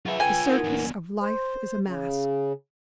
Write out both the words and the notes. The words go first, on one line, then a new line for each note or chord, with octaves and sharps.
The surface of life is a mask.
F#3 F4 G#4 B4 E5
G5 G#5
B3 D#4 A#4
E2 A#2
C5
C#3